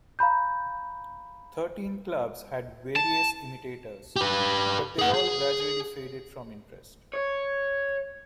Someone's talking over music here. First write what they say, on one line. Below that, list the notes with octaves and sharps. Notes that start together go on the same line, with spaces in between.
Thirteen Clubs had various imitators, but they all gradually faded from interest.
F5 A#5 B5 G6
A5
G4 B4
G#4 F#5
G#4
C#5